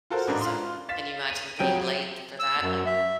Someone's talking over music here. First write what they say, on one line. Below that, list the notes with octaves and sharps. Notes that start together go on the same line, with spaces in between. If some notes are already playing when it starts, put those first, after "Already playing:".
So, can you imagine being late for that, like,
F4 F#4 A4 A#4 C5
A1 G#2 D4 A#5
F4 C6
F5 A6 B6 E7
D#7
F2 F#3 G4 G5 D7 D#7
E6
F#2
E5